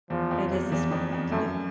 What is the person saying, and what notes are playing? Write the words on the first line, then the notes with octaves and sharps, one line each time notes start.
It is a smart thing to do.
E2 F3
F2
E2
E2
F2
F2
F#2 A3